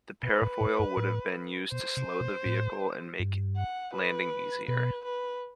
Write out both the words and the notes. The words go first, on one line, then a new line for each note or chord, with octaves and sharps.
The parafoil would have been used to slow the vehicle and make landing easier.
B2 B4
A2
A2
G2
A2
B2 C5
C3
B2
A2
G2
F#5
B4
B2 B4
B4